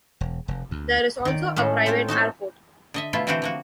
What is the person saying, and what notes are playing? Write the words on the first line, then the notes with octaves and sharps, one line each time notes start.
There is also a private airport.
E1
F1
D2
D#3 D5
A2 G#3 C#4 A4
C4 F4 C5 C#5
D#4 F#4 A4 C5
D3 D#5 E5
B2 A3 E4 F4
D3 E3 C4 F#4 G4 C5
F3 A#3 F#4